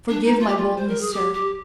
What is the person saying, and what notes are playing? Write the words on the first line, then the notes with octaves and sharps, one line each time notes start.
Forgive my boldness, sir.
D4
D#4
F4
G4
F4
C5
A#4
G#4
G4
G4